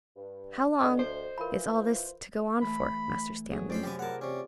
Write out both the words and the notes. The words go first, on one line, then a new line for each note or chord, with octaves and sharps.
'How long is all this to go on for, Master Stanley?'
G2
D2 D#5
A4 C5
E3 F4 A#4 B5
E3 A3 B5
F#3 G#4
F2 C#4 C5 D5 B5
F#2 C3 B3 G4 D5 G#5
C4 F4 G#4 A#4 F#5 A5
C3 C#4 D5